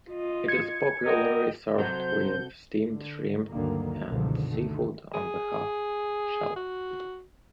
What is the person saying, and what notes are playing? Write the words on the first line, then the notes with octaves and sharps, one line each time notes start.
It is popularly served with steamed shrimp and seafood on the half shell.
F4 D#5
G#6 C#7
B3 A#4 D#5 G5
C3 F#3 F#4 A4 C5 G6
D3
D2 G2 D3 D#3 F#3 A#3
G1 C#2 B2 D3 D#3 F3
D2 D3 D#3 A3
G#4
F#4